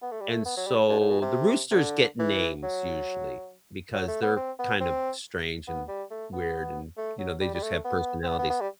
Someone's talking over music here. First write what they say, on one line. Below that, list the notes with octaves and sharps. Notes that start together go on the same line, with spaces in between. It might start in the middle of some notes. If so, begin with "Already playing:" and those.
and so, the roosters get names usually, because they're kind of strange and weird, and, you know, they just have personalities.
B3
A3
G3
A3
B3
F#3
G3
A2
G2
A2
B2
C3
C3
D3
E3
F#3
F#3
A3
B3
C4
B3
C4
B3
G3
A3
B3
A3
F#3
G3
G3
A3
B3
C4
B3
B3
B3
G3